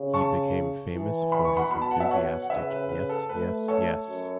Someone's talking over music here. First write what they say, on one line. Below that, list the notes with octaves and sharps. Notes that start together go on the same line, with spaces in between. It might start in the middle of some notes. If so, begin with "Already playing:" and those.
He became famous for his enthusiastic Yes, yes, yes!
Already playing: C#3
A5 C#6
E3
B5
C#6
F#5 B5
B2 B5
A5
F#5
E5 A5
C#5 F#5
F#5
C#3 B4 E5
B4
B4
A4
A3 B4
A4 C#5
F#2